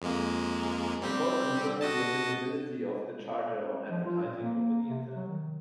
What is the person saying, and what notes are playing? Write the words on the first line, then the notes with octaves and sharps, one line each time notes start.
The court confirmed the applicability of the Charter on advertising over the Internet.
F2 G#3 A#3
G3 C4 G4
F#4 D#5 A5
F3
F4
A#2
A#3
C3
F#3
D#3